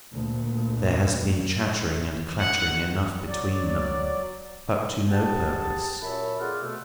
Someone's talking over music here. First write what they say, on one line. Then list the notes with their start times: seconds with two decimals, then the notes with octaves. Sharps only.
There has been chattering and clattering enough between them, but to no purpose.
0.13 D2 A#2
2.40 F#5
3.27 F#3 D5
5.10 G4 G#4 F#5 A5
6.02 F#2 A#2 C#5 E5 A5 B5
6.39 F2 F4 G#4 D5 F5 F#5
6.61 B2 A3